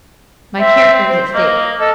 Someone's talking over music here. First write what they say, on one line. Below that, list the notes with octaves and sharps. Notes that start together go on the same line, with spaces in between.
My character was at stake.
C4 E5
C5
A#3 D#5
A4 D#5